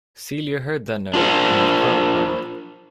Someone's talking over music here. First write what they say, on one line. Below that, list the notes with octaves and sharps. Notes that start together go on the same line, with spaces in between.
Celia heard that note and was quelled by it.
D4 F4 A#4 C5